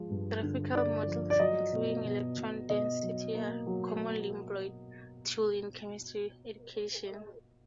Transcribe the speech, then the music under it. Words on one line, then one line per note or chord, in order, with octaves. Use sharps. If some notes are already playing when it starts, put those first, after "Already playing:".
Graphical models, including electron density are a commonly employed tool in chemistry education.
Already playing: F3 G#3
G2
D3
D3 D5
F3
D5
F#3 D#5
B2
B2
B2
B2 D#5
F#3
A#3
F#3